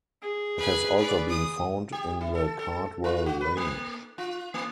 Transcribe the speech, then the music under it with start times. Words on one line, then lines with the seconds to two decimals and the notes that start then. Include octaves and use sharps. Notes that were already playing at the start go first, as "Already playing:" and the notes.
It has also been found in the Cardwell Range.
0.22 G#4
0.58 B4 G#5
0.96 B4 D5
1.29 D#6
1.92 G4
2.21 E4
2.35 A4
2.59 A4
3.04 F4
3.26 F#4
3.41 B4
3.57 A#3
4.18 F4
4.54 A#3